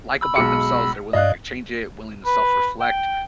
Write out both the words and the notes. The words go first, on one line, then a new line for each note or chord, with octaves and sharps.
like about themselves, they're willing to change it, willing to self-reflect
B5 E6
B1 G#3 C#7
G2 D5 D#5 F5 F#6
B4
G5